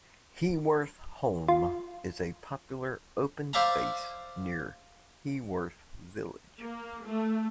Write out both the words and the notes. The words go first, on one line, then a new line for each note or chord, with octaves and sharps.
Heworth Holme is a popular open space near Heworth village.
F4
C5 D5 E5 F5 A5 A#5
A#3
A3